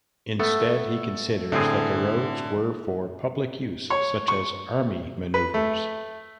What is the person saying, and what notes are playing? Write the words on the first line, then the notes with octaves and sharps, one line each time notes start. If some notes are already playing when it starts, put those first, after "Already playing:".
Instead he considers that the roads were for public use such as army manoeuvres.
A3 B3 A4
A2 D3 C4 G#4
C#5
C#6
B4
A3